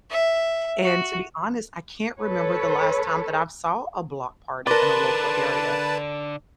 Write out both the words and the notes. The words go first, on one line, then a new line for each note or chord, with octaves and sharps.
and to be honest, I can't remember the last time that I've saw a block party in a local area,
E5
F#4
A4 B4 C#5
D3 A#4 B4 D5 A5 C6